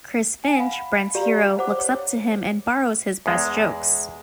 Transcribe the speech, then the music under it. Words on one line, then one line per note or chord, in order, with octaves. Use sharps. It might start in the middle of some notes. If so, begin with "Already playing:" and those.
Chris Finch, Brent's hero, looks up to him and "borrows" his best jokes.
G#5
F5 F#5 B5
G4 D5 F5 A#5
C5 F#5 D6
C#5
E2 G#3